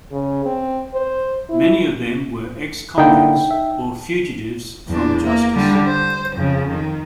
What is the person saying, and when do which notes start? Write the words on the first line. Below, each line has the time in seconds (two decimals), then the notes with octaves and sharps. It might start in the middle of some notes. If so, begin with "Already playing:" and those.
Many of them were ex-convicts or fugitives from justice.
0.11 C#3
0.45 C4
0.94 C5
1.49 E4
2.98 D3 A#3 D#4 E4 G5
3.51 E5
4.88 E2 D4
5.22 A#3
5.55 D3 G3
5.86 C5
6.34 F2 C#3
6.72 D#3